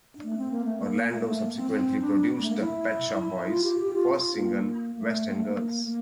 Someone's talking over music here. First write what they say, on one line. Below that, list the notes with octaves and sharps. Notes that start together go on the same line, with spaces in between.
Orlando subsequently produced the Pet Shop Boys' first single, "West End Girls".
A3
C4
A#3
A3
A#3
A3
A#3
A3
A#3
C4
C4
D4
A3
A#3
E4
E4
F4
G4
G4
F4
A#3
A3
A#3
A3
A#3
A#3